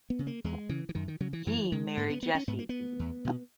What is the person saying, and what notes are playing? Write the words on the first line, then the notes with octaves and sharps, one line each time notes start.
He married Jessie.
B3
C#3
A#3
E2 G#3
C#3 E3
E3
F#2 D#3
D#3
C#3 F#3
E3
F#2 E3
C#3 G#3
G#2 A#3
B3
B3
C#4
G#2 B3
A#3
B3
E2
B2